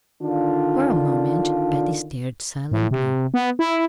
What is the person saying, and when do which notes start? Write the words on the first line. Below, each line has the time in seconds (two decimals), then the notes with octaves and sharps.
For a moment Patty stared silently.
0.22 D3 D#3 D4 F4
2.72 A2
2.91 C3
3.34 B3
3.59 E4